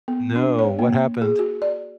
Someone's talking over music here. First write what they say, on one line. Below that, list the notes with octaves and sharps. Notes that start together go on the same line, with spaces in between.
No, what happened?
B3
D4
C#5
A#3
G#4
F#4
D5